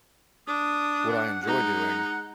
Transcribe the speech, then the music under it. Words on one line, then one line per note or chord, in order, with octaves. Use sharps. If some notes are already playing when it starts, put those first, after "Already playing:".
what I enjoy doing,
D4 D#6
F#5
G#3 D#4 F#5